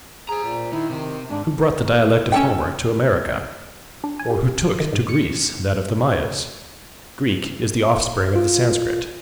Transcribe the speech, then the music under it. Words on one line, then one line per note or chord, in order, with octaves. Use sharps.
Who brought the dialect of Homer to America? or who took to Greece that of the Mayas? Greek is the offspring of the Sanscrit.
G#4 C5 A#5
A#2
D#3 E4
C3 D#3 C4
G#2 D4
C#4 A4 G5
D4
G#5
G4
D#3
G#2
C#7
F4